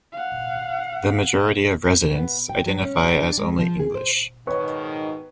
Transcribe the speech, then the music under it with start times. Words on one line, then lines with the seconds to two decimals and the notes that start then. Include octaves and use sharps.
The majority of residents identify as only English.
0.12 F5 F#5
2.14 B3
2.49 G5
2.66 F#3
2.82 C#4
3.04 F#4
3.21 D4
3.38 G#3
3.59 F3
3.80 G#4
3.95 C5
4.47 G#2 B2 D#3 B4 C#5 C#6